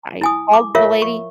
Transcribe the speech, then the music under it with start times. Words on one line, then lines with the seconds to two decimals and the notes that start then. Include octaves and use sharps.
I called the lady
0.21 E4 G#5 D#6
0.53 D6
0.75 F4 A#4 C#5 E5 F5
1.02 C#6